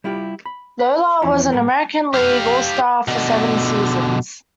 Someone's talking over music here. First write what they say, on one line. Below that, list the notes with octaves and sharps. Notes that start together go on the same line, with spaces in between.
Lollar was an American League All-Star for seven seasons.
G3 E4 F4 G4
B5
B4
E2 E3 F3 C#4 E4
A2 G3 A#4
G4 F5
B2 D3